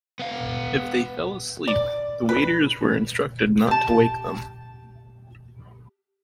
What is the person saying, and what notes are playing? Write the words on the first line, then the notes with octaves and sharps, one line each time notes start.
If they fell asleep, the waiters were instructed not to wake them.
B3 F5
D5
B4
G4 A5